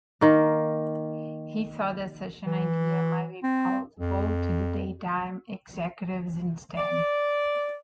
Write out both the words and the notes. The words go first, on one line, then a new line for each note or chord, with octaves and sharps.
He thought that such an idea might be palatable to the Daytime executives instead.
D#3 A#3
E3
C4
F2
D5